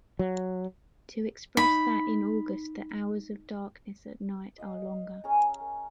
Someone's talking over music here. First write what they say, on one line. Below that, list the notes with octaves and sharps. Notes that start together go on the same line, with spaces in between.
To express that in August the hours of darkness at night are longer.
F#3
D#4 B5
D#5 F5 D#6
C#4 G#4 G#5 A#5
A#4